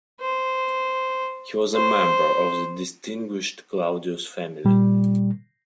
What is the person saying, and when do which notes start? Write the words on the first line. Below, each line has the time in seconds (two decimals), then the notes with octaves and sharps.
He was a member of the distinguished Claudius family.
0.21 C5
1.74 C5
4.65 A#2 G3